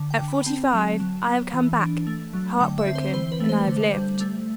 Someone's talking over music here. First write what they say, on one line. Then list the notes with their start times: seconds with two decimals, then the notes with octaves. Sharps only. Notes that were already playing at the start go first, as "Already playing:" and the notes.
At forty-five, I have come back, heart-broken, and I have lived.
Already playing: D3
0.10 G5
0.20 D3
0.28 B5
0.46 C4 A5
0.73 F#3
1.00 F#3
1.27 B3
1.53 E3
1.80 D4
2.07 A3
2.33 F#3
2.60 D3 G5
2.78 E5
2.87 C4
2.95 C5
3.13 E3 C5
3.32 B4
3.40 A3
3.49 C5
3.67 D3
3.93 G3
4.20 A3